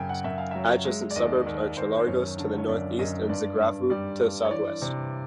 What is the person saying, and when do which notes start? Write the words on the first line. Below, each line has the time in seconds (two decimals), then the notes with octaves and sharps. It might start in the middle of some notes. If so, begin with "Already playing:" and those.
Adjacent suburbs are Cholargos to the northeast and Zografou to the southwest.
Already playing: F#2 C#3 G5 G#5
0.09 F#5
0.24 F#2 E5
0.38 F5
0.51 F#3 E5
0.85 G#3 E5
1.11 D5
1.16 D#2 D#5
1.46 D#2 D5
1.77 D#2 C5
1.97 C5
2.07 F#2 C#5
2.38 D3
2.58 C#5
2.69 F#2 D5
2.99 F#2 D#5
3.29 G2 D5
3.60 G2
3.90 G3 D5
4.21 G2
4.45 C#5
4.51 E3 D5
4.82 C3